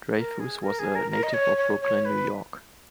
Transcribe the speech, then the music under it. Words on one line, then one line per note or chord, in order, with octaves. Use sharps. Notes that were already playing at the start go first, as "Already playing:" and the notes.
Dreyfuss was a native of Brooklyn, New York.
A#4
G#4
A#4
G#4
A#4
A#4
D#5
C#5
C#5
C#5
B4